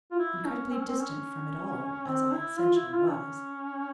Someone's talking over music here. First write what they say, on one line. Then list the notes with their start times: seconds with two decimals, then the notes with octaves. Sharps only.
Incredibly distant from it all as I essentially was.
0.11 F4
0.19 E4
0.45 C#4
0.71 C4
0.80 C#4
0.88 C4
0.99 C#4
2.06 C4
2.32 E4
2.59 F4
2.76 E4
2.94 F4
3.11 C#4